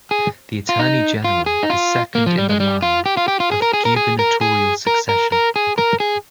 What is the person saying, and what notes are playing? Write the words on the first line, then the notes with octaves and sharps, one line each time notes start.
The Attorney General is second in the line of gubernatorial succession.
G#4
F4
D#4
F4
G#4
D#4
F4
A#3
F3
G3
G#3
G3
F4
G4
F4
G4
F4
G#4
A#4
G#4
A#4
G#4
A#4
G#4
A#4
A#4
A#4
G#4
A#4
G#4